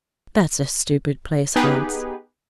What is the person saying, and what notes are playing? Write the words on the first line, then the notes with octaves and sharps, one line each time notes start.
'That's a stupid place, Hans.
B3 D#4 G4 G#4 B4